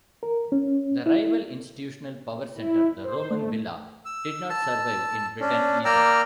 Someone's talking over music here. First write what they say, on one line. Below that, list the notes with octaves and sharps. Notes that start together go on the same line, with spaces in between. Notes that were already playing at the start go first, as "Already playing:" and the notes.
The rival institutional power centre, the Roman villa, did not survive in Britain either.
A#4
C#4
E4
E4
C5
A3
E6
A5 E6
C#4 D4
A#3 D5 G5 A#5 E6 F6